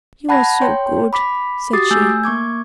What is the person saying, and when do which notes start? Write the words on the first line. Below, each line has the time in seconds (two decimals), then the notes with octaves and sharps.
"You are so good," said she.
0.29 F#5 A5 B5 F#6 G#6 A#6
0.62 C#5 G5 C6
1.13 B5 D6 B6
1.73 F#4 G4 D6 D#6 A6 C7
1.91 A3 G#5 E6 G6
2.24 A#3 C#6 D6 G#6